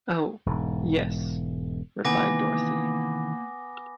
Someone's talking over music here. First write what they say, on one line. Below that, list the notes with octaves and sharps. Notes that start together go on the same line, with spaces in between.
"Oh, yes;" replied Dorothy.
E1 G#2
C3 D#3 E3 A#3 B3 G#5 D6 A#6